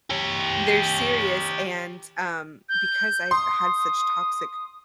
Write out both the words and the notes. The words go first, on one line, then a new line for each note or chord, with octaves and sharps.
they're serious, and, um, because I've had such toxic
G4 C#5
G6
C6 D#6